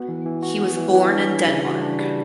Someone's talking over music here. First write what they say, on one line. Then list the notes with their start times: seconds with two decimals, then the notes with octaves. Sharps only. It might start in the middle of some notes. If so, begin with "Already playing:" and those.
He was born in Denmark.
Already playing: B3 F#4
0.09 E3
0.26 E3
0.43 F#4
0.60 B3
0.77 E3
0.95 E3
1.12 D4
1.29 G3
1.47 C#3
1.64 F#4
1.82 D4
1.99 G3